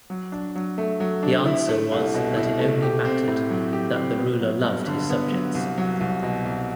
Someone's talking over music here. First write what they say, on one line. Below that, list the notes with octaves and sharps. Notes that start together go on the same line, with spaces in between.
The answer was that it only mattered that the ruler loved his subjects.
F#3
D4
F#3
A3
F#3
D4
E4
A3
C2
B2
E4
A3
G4
C4
A2
F#3
G4
C4
B3
F#3
G2
D3
B3
F#3
C2
F#3
C2
B2
C2